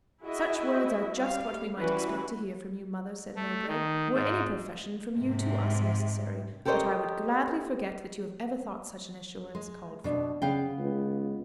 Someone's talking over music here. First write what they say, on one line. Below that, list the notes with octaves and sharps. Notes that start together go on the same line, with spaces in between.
"Such words are just what we might expect to hear from you, mother," said Mowbray, "were any profession from you to us necessary; but I would gladly forget that you have ever thought such an assurance called for."
E4 F#4 G#4 D#5 E5
G3 F5
E3 G3 C#4 E4 F#4 B4
A3
D#3
G#2
G#2 C3
G4 A4 A#4 C5 C#5 D#5
G#3
B2 D4
C#3 B3 F5 G5
C#2